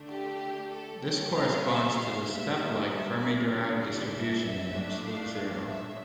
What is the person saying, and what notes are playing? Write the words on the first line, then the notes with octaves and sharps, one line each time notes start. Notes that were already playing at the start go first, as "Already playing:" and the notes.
This corresponds to the step-like Fermi-Dirac distribution at absolute zero.
Already playing: D3 A3 D4
G4
A4
C#3 G3 A#3 C#4 G5
F5
E5
F5
A2 G3 A#3 D4 E5
E5
E5
D5
C#3 E3 G3 D4 C#5
D5
E5
A#2 A3 D4
F5
F5
E5